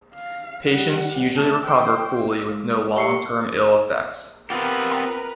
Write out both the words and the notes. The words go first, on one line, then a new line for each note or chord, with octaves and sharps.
Patients usually recover fully with no long term ill effects.
F5
G3 F#5
A3 A5
C5 G5
G#3
G4 C#5 D#5 C#6 C7 C#7
B3 C4 F4 G4 A#4 B4 A#5